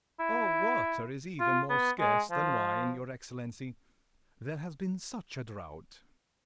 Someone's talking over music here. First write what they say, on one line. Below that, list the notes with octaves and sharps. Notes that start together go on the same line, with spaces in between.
"Oh, water is even more scarce than wine, your excellency,--there has been such a drought."
E4
F4
B3
G#3
F3